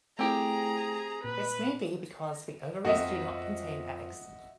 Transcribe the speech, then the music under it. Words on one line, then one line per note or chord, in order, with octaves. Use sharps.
This may be because the ovaries do not contain eggs.
A3 C4 E4 G4 G#4 A#5
A#2 B4
F2 F3 A#3 F#4 D#5 E5